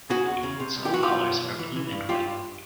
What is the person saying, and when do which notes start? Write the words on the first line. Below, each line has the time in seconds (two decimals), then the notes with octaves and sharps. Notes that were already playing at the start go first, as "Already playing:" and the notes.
School colors are blue and white.
0.10 C#3 F#4 G#4
0.26 E2
0.43 C#3
0.60 C3
0.76 C2
0.85 G4
0.93 E3 F#4
1.03 F4 G4
1.09 B1
1.26 B1
1.43 E3
1.59 E3
1.76 E3
1.92 G2
2.09 G2 F4 G4
2.25 G2